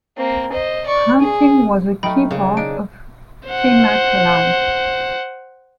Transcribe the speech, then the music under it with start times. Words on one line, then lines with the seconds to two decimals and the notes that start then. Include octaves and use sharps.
Hunting was a key part of Kimak life.
0.18 A#3 C4
0.52 C5 D#5
0.86 D5 C#6
1.20 G#4
2.03 F#3 A3 D#4 G5 B5 F6
2.31 C#3 A#3
2.57 D4 D#4 D7
3.49 C5 F#5